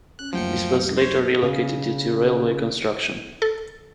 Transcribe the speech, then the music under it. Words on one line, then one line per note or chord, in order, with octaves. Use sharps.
This was later relocated due to railway construction.
C#4 F#6
F#1 D2 F3 F#3 G5 C#7
C5 C#5
C#3
A4